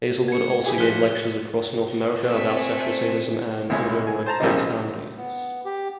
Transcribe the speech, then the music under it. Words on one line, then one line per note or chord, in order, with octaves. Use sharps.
Hazelwood also gave lectures across North America about sexual sadism and autoerotic fatalities.
G#6 C#7
E4 G4 G#4
F3 F#6 B6 G7
A3 C4 A4 E5 G#5 C#7
B1 G#3 E4 C#5
G#5
C5 A5 A#5
B1 C#3 F3 G3 A#3 D#4
B3
G4